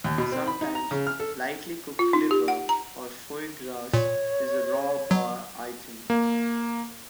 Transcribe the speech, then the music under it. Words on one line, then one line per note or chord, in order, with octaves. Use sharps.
Sometimes lightly cooked liver or foie gras is a raw bar item.
D#2
B2
C4
B5
D#4
A#5
C#3
F6
A4
F4
D#4
G4
F#5
A#5
A#2 C#5
F#3
A#3